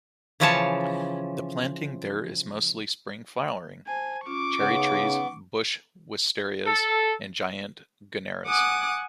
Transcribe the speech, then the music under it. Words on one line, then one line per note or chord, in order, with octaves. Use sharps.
The planting there is mostly spring-flowering: cherry trees, bush wisterias and giant gunneras.
C#3 E3 F3 C#4 C#5 A5
C5 G#5 A5
C#4 F4 C#6 D6
C#3 B3 C#4 D#4
A4
F#5 G#5 D6 D#6 F#6